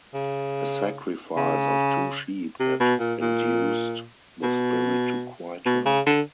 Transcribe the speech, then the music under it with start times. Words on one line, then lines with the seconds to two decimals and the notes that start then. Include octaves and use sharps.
A sacrifice of two sheep had induced the spirit to quit her.
0.14 C#3
1.37 C#3
2.60 C3
2.80 B2
3.00 A#2
3.21 A#2
4.43 B2
5.66 B2
5.85 C#3
6.06 D3